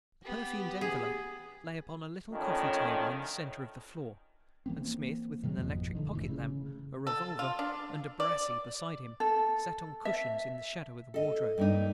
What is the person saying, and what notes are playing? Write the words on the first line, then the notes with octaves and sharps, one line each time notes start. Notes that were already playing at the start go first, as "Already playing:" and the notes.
The perfumed envelope lay upon a little coffee table in the center of the floor, and Smith, with an electric pocket lamp, a revolver, and a brassey beside him, sat on cushions in the shadow of the wardrobe.
B3 G4
G#4
F2 A2 D#3 C#4 D4
E3 A#3 C4
B2 D#3 F#3 G#3
G#1 F2 B2
A2 D3 D#3
F#1 E3 A3
C#3
A4
F4
D4
D5
A4
E5
A4 D#5
G2 A#3 D#4